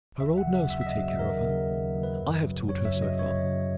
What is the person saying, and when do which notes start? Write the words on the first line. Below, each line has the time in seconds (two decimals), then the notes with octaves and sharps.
Her old nurse will take care of her, I have taught her, so far.
0.20 D#2 E5
0.38 F#5
0.45 C#3 F#3
0.54 E5
0.70 D#2 E5
0.81 E5
0.87 D#5
0.96 C#3 F#3
1.19 D#2 A#4
1.45 C#3 F#3
1.70 D#2
1.95 C#3 F#3
2.03 B4
2.19 F#2
2.44 C#3 F#3
2.69 F#2 C#5
2.85 E5
2.94 C#3 F#3
3.02 D#5
3.18 F#2 C#5
3.43 C#3 F#3